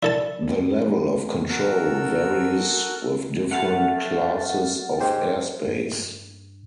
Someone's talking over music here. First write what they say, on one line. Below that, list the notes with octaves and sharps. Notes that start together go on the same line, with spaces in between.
The level of control varies with different classes of airspace.
E4 A4 D5 A5
F#4 A4 A#4 E6
A3 F#5 F6 A6
G#2 G4 C5
G2